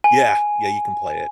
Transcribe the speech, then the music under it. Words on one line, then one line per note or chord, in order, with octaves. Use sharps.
Yeah, yeah, you can play it.
G#5